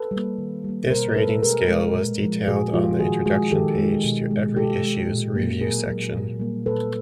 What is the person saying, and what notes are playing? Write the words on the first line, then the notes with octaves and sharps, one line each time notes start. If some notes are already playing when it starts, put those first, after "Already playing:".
This ratings scale was detailed on the introduction page to every issue's review section.
Already playing: A4 B4
G3
A#3
D#3
G3 A#3
B2 A#4 C5
G#3 A4 B4
B2 G#4 A#4
G#3
A#2
F3 G#3
A#2 F#4 G#4
F3 G#3 F4 G4
D#3 F#4 G#4
G#3 F#4 G#4
D#3 G4 A4
G#3
B2
G#3
B2 G4 A4
G#3
A#2
F#3 A#3
A#2 G#4 A#4
F#3 A#3
A#2
G3 A#3
A#2 A4 B4